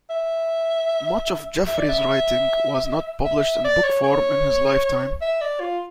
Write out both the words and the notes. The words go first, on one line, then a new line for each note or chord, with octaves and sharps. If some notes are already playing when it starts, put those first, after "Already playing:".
Much of Jefferies's writing was not published in book form in his lifetime.
E5
E5
D5
E5
E5
D5
C#5
C#5
E5
D5
F4